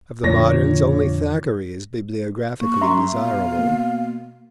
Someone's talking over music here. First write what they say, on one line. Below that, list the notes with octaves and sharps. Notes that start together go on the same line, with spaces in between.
Of the moderns, only Thackeray is bibliographically desirable.
F2 A#2 D3 C#5 A#6
A#3 C#6
F#2 E5 A#5 C6
B2 F5
A#3